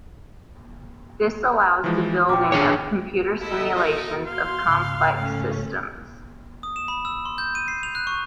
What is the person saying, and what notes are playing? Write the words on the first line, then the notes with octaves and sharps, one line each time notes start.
This allows the building of computer simulations of complex systems.
E3 F3 G#3
A#1 F3 G5 D6
D4 G#4 C#5
E4 F#4 A4 D#5 E5
D#4
F5 C6
G#2 C#3
A3 C#4
D#6
E7
B5
E6
C6
G6
D#7
C7
F7
F#6
C#6